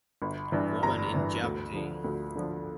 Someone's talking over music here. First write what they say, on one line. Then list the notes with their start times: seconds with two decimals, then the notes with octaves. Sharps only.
Women in Jeopardy!
0.22 G1
0.52 G2 E3
0.83 G1 A#5
1.13 G2 E3
1.43 D2
1.74 D3 F3
2.04 D2
2.36 D3 F3